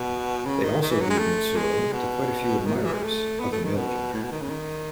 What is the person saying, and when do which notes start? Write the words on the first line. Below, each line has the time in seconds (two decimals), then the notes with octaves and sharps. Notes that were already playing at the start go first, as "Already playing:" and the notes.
They also lead Mitsuo to quite a few admirers-of the male gender.
Already playing: B2
0.45 C#3
0.63 D#3
0.82 D#3
0.91 E3
1.01 F#3
1.10 G#3
1.19 A3
1.56 G#3
1.93 B2
2.66 D#3
2.76 F#3
2.84 E3
2.94 G#3
3.03 A3
3.40 B3
3.52 A3
3.64 D#3
3.77 B2
4.13 A2
4.23 B2
4.32 D#3
4.42 C#3
4.50 D#3